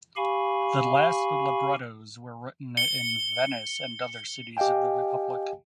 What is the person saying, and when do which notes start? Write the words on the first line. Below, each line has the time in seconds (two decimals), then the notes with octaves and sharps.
The last librettos were written in Venice and other cities of the Republic.
0.17 G4 F5 G#5 B5 C#6
2.77 C#7 G7
4.57 G4 D#5 F5 G5 G#5